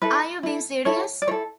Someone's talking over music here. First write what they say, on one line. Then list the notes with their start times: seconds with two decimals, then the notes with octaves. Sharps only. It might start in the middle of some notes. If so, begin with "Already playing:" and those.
Are you being serious?
0.02 E4 A4 B4
0.43 E4 A4
0.85 E4 A4 C#5
1.22 D5
1.27 E4 C#5
1.31 A4